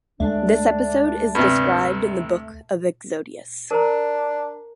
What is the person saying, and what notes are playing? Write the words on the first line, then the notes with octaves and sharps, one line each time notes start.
This episode is described in the Book of Exodus.
D2 G#3 A3 D4
G2 C3
D4 A#4 C5 A#5